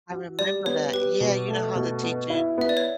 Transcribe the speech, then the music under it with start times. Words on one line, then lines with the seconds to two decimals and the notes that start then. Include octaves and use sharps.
I remember that. Yeah, you know how the teacher
0.11 F#4
0.39 G3 D5
0.66 B3 C#5
0.94 G4 B4
1.21 B2
1.48 A3
1.76 B2
2.03 B3
2.30 E4
2.58 B3 E5
2.69 D5
2.77 C#5